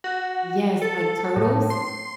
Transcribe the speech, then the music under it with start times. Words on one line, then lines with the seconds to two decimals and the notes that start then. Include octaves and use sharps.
Yes, like Turtles?
0.04 F#4
0.82 A4
1.36 A2
1.70 C6